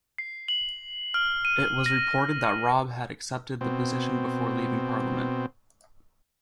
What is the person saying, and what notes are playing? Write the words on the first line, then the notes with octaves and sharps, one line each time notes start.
It was reported that Robb had accepted the position before leaving Parliament.
C7
F#7
F6
D#7
A#6
B2 C4